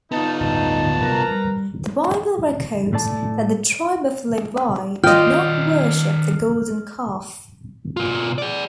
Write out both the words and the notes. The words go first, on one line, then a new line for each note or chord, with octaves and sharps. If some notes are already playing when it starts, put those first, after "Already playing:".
The Bible records that the tribe of Levi did not worship the golden calf.
B3 D#4 F4 A5
D1 G2 A5
C3 F#3 G3 A#4 B4 A#5
G3
A2 A3 D5 A5
D#3 F4 D5 D#5 G5 F6
B2 F4
G#4 D5